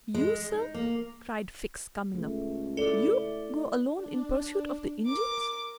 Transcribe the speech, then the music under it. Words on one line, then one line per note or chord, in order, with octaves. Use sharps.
"You, sir!" cried Fix, coming up; "you go alone in pursuit of the Indians?"
G#3
D#4
A#3
C#2 A3
E4 A4 D5
D4
A#4 D6